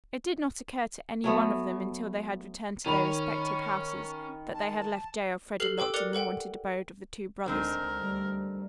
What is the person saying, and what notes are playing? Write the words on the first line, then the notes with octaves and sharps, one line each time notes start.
It did not occur to any one of them until they had returned to their respective houses that they had left J. Elfreda locked in the haunted abode of the two brothers.
F#3 A3 B3
D#3 C#4 B5 C#6 F7
A5
G4 A4 B4 F6 C7 F#7
A4 B4 G5 D6 E6
A#4 D5 D6 F#6 C#7 F7
A4 B4 F#5 G5
C#2 D3 G#3 C4 D#4 A#4
D2 G3